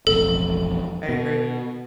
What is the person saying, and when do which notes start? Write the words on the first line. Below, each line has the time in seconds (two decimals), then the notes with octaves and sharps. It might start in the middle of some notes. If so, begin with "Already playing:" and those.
I agree.
0.07 E1 A1 F2 A4
1.09 B2